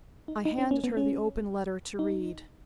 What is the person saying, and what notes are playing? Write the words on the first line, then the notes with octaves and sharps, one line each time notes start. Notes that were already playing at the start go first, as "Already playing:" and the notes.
I handed her the open letter to read.
D#4
D#4
C#4
C#4
B3
C#4
D#4